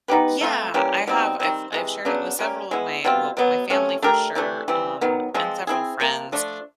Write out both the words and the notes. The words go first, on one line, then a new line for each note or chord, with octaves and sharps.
Yeah, I have, I've I've shared it with several of my well, my family for sure, um, and several friends,
B3 D#4 G4 B4
A3 C4 F4
E3 G3 A#3 C#4
B2 G3 C4 D#4
D#3 G3 C4
C3 E3 G#3
C#3 F#3 B3 D4
G3 A#3 C#4
G#3 B3 E4
B2 G3 C4 F4
B2 F#3 B3
C3 F3 A3 C#4
A3 D4 G4 A#4
C3 E3 A3 D4
E3 G3 C4
D#3 F#3 B3
F3 G#3 C4
C4 E4 G#4
C3 F3 A#3
F3 A3 D4